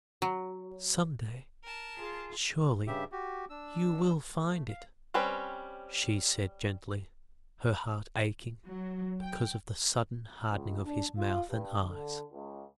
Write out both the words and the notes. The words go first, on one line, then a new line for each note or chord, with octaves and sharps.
"Some day--surely--you will find it?" she said gently, her heart aching, because of the sudden hardening of his mouth and eyes.
F#3
A#4 A5
F4 G#4
G2 C#3 G4 E5
F#4 G4
D4 E6
A3
F5
G3 C4 C#4 B4
F#3
G5
C#2
D4
F4
G2
D3
C#2